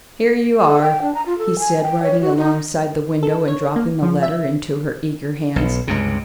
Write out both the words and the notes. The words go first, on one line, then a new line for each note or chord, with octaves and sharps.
"Here you are," he said, riding alongside the window and dropping the letter into her eager hands.
A4
G5
D4
A#5
F4
A4
G#5
G5
C#5
F#4
D#4
A4
C#5
A#3
F3
E5
B1
C#2 G2 C3